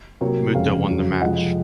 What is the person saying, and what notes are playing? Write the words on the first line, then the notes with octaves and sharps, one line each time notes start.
Muta won the match.
C3 F#3 A#3 A#4 C#5
F2 C#3 G#3 C#5 F5
F2 C#3 F#3
F2 C3 F3 G#3 D#5 F#5